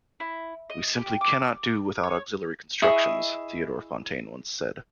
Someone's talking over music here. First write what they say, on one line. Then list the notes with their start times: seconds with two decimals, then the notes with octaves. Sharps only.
'We simply cannot do without auxiliary constructions', Theodor Fontane once said.
0.20 E4
0.70 D#5
0.96 G4
1.21 D6
2.03 C#5
2.82 E4 G#4 D#5 C#6